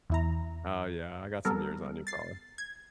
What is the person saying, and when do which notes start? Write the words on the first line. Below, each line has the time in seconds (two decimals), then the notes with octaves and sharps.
Oh, yeah, I got some years on you, probably.
0.10 E2 E4 A#5
1.45 G3 B3 A4 A#4
2.07 A6 C7
2.58 G#6